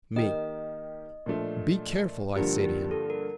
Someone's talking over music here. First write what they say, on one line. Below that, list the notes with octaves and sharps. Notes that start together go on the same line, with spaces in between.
ME: Be careful, I say to him.
D#3 A#3 D#4 G4 D#5
A#2 F3 A3 D4
G2 D3 F3 A#3 G4
G4
A4
A#4